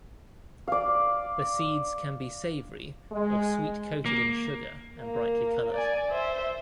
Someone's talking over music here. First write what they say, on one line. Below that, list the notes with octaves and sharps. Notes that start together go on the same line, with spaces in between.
The seeds can be savory or sweet-coated in sugar and brightly colored.
D5 F5
G#3
A#3
A#3
D5 G#5
C5 E5